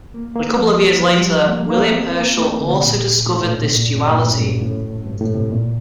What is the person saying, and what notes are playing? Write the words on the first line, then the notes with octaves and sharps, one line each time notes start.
A couple of years later, William Herschel also discovered this duality.
A#3
A#3
F3
G3
F3
G3
A#3
A#3
C4
A#3
A3
D3
C3
A#2
A2
A2
A#2
C3
A#2
G2
A#2
A2
G2
A2
G2
A2
C3
A#2